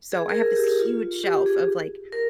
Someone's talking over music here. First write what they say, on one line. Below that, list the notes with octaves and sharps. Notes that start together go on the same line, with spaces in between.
So, I have this huge shelf of, like,
G#4
A#4
G#4
G4
F4
G4
G#4
A#4